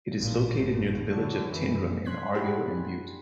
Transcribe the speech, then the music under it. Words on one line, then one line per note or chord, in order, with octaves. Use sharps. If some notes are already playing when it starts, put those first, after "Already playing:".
It is located near the village of Tyndrum in Argyll and Bute.
A1 A#2
A1 F#2
D3 F#3
F#2 E3
C6 F#6 G#6 B6
D4 E4 G4 G#4 F#5 B5